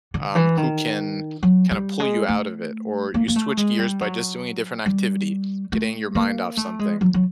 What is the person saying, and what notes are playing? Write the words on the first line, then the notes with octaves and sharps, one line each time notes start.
um, who can kinda pull you out of it, or you switch gears by just doing a different activity, getting your mind off something.
D3
E3
D#3
F#3
G3
G#3
A3
A#3
A#3
A3
G#3
G3
F#3
G3
A3
A#3
A3
G#3
F#3
F#3